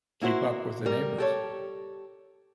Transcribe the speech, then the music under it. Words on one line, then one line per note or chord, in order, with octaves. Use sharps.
keep up with the neighbors.
A#3 E4 F#4 C5
G3 A#4
G4 A4 C#5